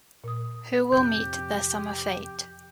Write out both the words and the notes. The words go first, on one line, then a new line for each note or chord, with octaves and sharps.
Who will meet their summer fate?
A#2 D#6
F2 C3 G4 G6